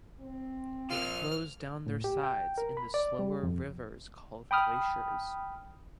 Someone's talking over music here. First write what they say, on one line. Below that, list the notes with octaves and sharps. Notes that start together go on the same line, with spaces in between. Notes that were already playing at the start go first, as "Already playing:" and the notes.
It flows down their sides in the slower rivers called glaciers.
C4
A#2 F3 F4 F6
A2
G4
G5
A#4
B5
D5
G3
F2
G5 B5 D#6 F6